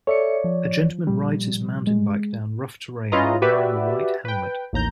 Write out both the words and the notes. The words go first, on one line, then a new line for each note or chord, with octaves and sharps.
A gentleman rides his mountain bike down rough terrain while wearing a white helmet.
A4 C#5 D5 E5 C#7
F3
A#2 G3
G#3
C#4 E4 F4 B4 D#5 A#5
F#4 G4 B4 D5 E5
B4 G5
A1 D#2 A#5 G6